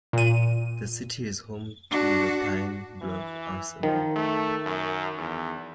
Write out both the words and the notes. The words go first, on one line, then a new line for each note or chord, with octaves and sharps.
The city is home to the Pine Bluff Arsenal.
A#2 D#7
D4 F#4
E3
D#3 F3
A3
F#2
E2